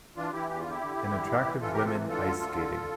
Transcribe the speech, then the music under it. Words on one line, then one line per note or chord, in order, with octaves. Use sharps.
An attractive women ice skating.
E3 D4 F4
E3 E4 G4
E2 G4
F4
D3 E4 G4
D3
D3
E3
E3
E3
E3 F4 A4
C3 G4 A#4
F4 A4
E3
D3 F4 A4
D2
D3
E2
D3